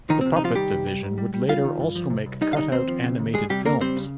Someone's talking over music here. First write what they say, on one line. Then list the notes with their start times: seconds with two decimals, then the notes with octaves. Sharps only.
The puppet division would later also make cutout-animated films.
0.09 D#3 F3 D#4
0.21 C4
0.26 C3
0.36 D#4
0.41 C2 F3 F4
0.56 D#3 G3 G4
0.72 C3
0.87 G3
1.03 G#2
1.18 G3
1.34 G3
1.48 G3 F4 F5
1.65 D#3
1.80 G2
1.96 F3
2.10 C3
2.26 C2
2.41 G3 D#4 D#5
2.53 F5
2.57 D#3 D#4 D#5
2.72 D#2 C4 C5
2.88 F3
3.03 C#3
3.19 D#2
3.34 G3 G#3 G#4
3.50 C3 G3 G4
3.65 C#2 A#3 A#4
3.81 G3 C4 C5
3.96 C#3